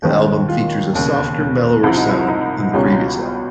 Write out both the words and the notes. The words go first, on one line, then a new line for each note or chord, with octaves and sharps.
The album features a softer, mellower sound than the previous album.
D#2 D#3 G#3 C#4
F4
E1 D#2 C#3
C2 C3 F3 E4
D#4
E4
D#4
C#2 B2 G3 C#4